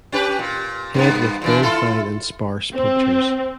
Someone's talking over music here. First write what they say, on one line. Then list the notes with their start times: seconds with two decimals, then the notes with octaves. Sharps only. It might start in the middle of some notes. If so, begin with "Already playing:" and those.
Head with very fine and sparse punctures.
0.12 C#4 G4 B4
0.39 A#2
0.94 G2 A#3 B3
1.42 A#2 E3 D4
1.63 E4 F4 A4
2.74 C4